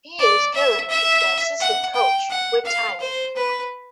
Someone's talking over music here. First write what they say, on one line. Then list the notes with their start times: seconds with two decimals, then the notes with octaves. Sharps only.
He is currently the assistant coach with Thailand.
0.19 D5
0.55 E5
0.89 E5
1.60 F#5
1.95 G5
2.30 F#5
2.65 F5
3.00 C5
3.36 B4